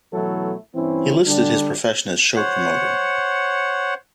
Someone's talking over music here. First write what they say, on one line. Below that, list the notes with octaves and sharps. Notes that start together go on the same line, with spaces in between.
He listed his profession as "show promoter".
B2 E3 F#3 A3 E4 A4
G2 E3 C4 C#4 E4
D3 G3 D4
C5 C#5 F#5